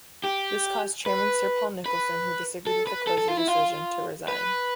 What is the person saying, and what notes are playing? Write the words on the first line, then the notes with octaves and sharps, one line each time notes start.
This caused Chairman Sir Paul Nicholson, who disagreed with the closure decision, to resign.
G4
B4
B4
A4
B4
A4
A4
F4
E4
F4
B4